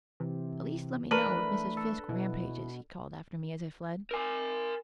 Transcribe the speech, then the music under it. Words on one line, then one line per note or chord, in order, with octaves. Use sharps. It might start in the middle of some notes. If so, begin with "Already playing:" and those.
"At least let me know if Miss Fiske rampages," he called after me as I fled.
C3 E3
A3 D4 A#4 B4
A4
B2 E4
A#4 G#5